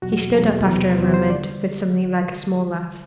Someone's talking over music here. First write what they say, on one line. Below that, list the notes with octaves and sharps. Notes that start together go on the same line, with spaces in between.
He stood up after a moment, with some thing like a small laugh.
E2 B2 F#3 F#4
F#4
E2 B2 F#3 A4
E2 C3 F#3 B4
E2 C3 F#3 C5
C5
D3 G3 D5